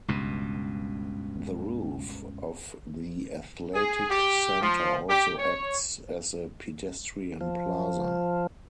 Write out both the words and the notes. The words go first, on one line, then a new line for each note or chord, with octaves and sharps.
The roof of the athletic center also acts as a pedestrian plaza.
C#2 G2 B2
G#4
G4
F3
G4
C#5
F3